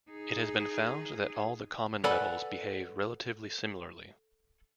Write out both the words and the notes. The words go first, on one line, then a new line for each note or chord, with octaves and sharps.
It has been found that all the common metals behave relatively similarly.
D#4 G#4
A4 B4 D5 F#5 G#5 B5